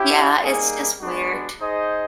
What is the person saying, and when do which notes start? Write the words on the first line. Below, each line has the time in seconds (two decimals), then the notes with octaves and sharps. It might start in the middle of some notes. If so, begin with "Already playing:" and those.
Yeah, it's just weird,
Already playing: C#4 E4 G4
0.42 G3 A#3 D#4 G#4
1.01 G#3 B3 D4 F#4
1.60 D#4 G#4 C5 D#5